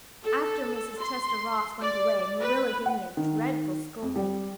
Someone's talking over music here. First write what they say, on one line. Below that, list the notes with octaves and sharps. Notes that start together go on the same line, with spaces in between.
After Mrs. Chester Ross went away, Marilla gave me a dreadful scolding.
A4
C6
D5
B4
F#5
D#3
F2
G3